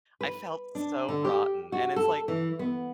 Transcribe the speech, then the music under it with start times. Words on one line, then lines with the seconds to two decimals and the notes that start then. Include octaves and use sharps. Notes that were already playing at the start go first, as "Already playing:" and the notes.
I felt so rotten. And it's like,
0.21 B4
0.75 D4
1.08 D3
1.25 G4
1.72 F#4
1.96 A4
2.28 E3
2.59 B3